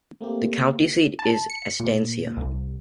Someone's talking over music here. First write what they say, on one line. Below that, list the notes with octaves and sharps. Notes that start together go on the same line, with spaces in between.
The county seat is Estancia.
A3 A#3 C4 G4
A5
C#7
A#2
C2